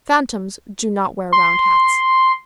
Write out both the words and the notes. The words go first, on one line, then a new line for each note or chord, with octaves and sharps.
Phantoms do not wear round hats.
C6